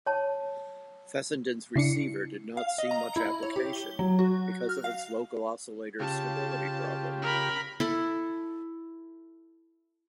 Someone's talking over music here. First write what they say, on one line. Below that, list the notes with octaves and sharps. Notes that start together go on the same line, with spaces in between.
Fessenden's receiver did not see much application because of its local oscillator's stability problem.
C#5 A5
C#3 D4 E4 C7 C#7
F5
D#5
A#5
E4
C#5
G4
G7
F#3
F#4
F6
F5
C#3 F4 G4 A5
A#4 B5
E4 A4